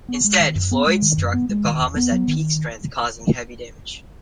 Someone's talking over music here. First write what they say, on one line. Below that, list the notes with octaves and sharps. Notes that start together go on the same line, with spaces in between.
Instead, Floyd struck The Bahamas at peak strength, causing heavy damage.
B3
G#3
D#3
F#2
B3
G#3
D#3
F#2
B3
G#3
D#3
E2
B3
F#3
D#3